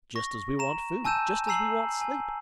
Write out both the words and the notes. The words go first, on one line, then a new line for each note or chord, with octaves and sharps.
Just as we want food, just as we want sleep.
C#6 A#6
A#5 E7
G#5 A5 E6 G6 D#7 E7
G#5 A#5 E6 C7 F#7
G#5